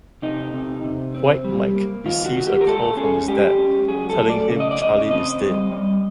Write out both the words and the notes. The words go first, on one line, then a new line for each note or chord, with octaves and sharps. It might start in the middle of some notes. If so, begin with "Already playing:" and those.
White Mike receives a call from his dad telling him Charlie is dead.
C3 D#4
C3
C3
C4
G3
A#3
D#3 F4
F#4
D#3
G4
A#4
G#3 A4
C#4 G#4
G#3 G4
C#4
F#3 G#4
A4
A3
D5
C#3
D#5
D5
C#3 D#5
C4 D#5
G3
G3